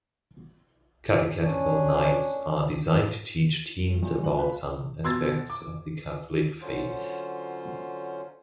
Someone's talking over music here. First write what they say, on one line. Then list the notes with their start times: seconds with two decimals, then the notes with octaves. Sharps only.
Catechetical nights are designed to teach teens about some aspect of the Catholic faith.
1.42 C#4 D4
3.87 G2
4.02 D#1 A#1 E2 A#2
4.22 F1 A#2 F#4 F#7
4.36 F4 B4
5.04 B2 C6 E6 G#6 A6
5.50 D6
6.61 D3 F#3 C#4 F4 C5